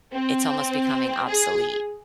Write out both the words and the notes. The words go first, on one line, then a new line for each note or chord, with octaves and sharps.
it's almost becoming obsolete.
C4
G#4